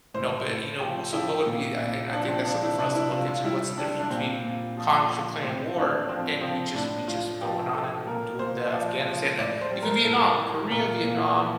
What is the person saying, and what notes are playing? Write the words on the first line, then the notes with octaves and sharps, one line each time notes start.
you know, but, you know so what would be I and I think that's something for us to look into. What's the difference between Congress declaring war and we just we just going on and doing the Afghanistan ah, even Vietnam, Korea, Vietnam,
A2 C5
A2
F3 G4
F3 E4
A#2
A#2
F3 D4
C4
F3 D4
E4
C3 D4
E4
C3 F4
F4
G3 E4
G3 D4
D4
A#2 C4
A#2
F3
F3
A2 C4
A2 D4
F3 C4
F3 C4
A2 D4
A2 F4
F3 G4
F3 A4
A#2 A#4
A#2 C5
F3 D5
F3
A2 D5
C5
G3
A#4
A2 A4
E3
A#2 A#4
A#2
F3